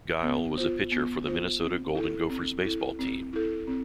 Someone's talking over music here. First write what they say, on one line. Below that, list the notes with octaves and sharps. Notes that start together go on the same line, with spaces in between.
Giel was a pitcher for the Minnesota Golden Gophers baseball team.
B3
F4 C5
B3
F4 C5
C4
E4 A4
C4
E4 A4
C4
E4 A4
C4